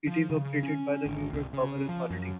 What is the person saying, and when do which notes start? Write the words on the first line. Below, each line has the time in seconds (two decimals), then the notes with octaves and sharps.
It is operated by the New York Power Authority.
0.07 F3
0.30 C#3
0.63 C#4
1.06 G#1
1.33 C2
1.53 C#3
1.89 F3
2.10 F#2